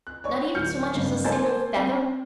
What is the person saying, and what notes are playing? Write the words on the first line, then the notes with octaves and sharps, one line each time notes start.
"Not even so much as a single feather?"
F#6
C#5 D5 C#6
D1 F6 G6 C#7
F#1 G2 B3 C4 C7
A#3 A4 C5 G#5 G#6 A6
C4